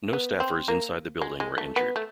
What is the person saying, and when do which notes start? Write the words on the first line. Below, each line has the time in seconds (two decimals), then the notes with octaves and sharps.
No staffers inside the building were injured.
0.13 B3
0.40 C4
0.68 A#3
1.22 G#3
1.40 G#3
1.58 A3
1.76 B3
1.96 A3